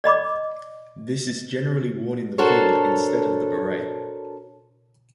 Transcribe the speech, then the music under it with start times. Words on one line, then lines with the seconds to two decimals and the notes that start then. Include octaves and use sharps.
This is generally worn in the field instead of the Beret.
0.04 D5 D#5 B5 D6
2.38 D4 F#4 A4 A#4 C5 C#5